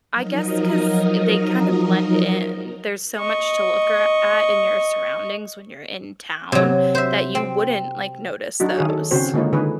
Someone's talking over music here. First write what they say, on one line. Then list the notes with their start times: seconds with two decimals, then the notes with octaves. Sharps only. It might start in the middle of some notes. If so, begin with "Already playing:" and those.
I guess 'cause they kinda blend in; there's so much to look ar at in your surroundings when you're in town that you wouldn't, like, notice those.
0.11 F3 F#3 D#4 A#4 D#5
3.18 D#5 C#6
6.52 C3 F#3
6.95 C5 E5
7.35 C4
8.60 F#3 D4 D#4 F#4
8.76 D#3 G#4 C#5
8.89 A4
9.11 C#3 C4 C#4 F#4 C5
9.34 D3 G#3 A#3 D#4 F4 C#5
9.53 D3 D#3 G#4 B4